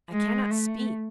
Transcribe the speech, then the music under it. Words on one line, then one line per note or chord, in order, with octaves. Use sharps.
I cannot speak!
G#3
A3